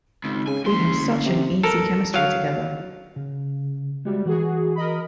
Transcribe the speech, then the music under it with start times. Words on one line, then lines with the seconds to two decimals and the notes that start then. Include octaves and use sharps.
We have such an easy chemistry together.
0.24 G#1 C#2
0.47 C#3 G#5
0.64 F#1 D2 C6
1.26 C3
1.63 A4 A#4
2.14 F#3 F5
3.16 C#3
4.05 G3 G#3 F#4 E5
4.26 E3 F#4 G#4 F#5
4.75 A#4 D#5 B5